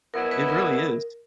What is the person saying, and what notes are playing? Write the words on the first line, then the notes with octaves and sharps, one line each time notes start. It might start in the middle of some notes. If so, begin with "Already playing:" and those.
It really is.
B2 F#3 B3 E4 A#4
B4
A#4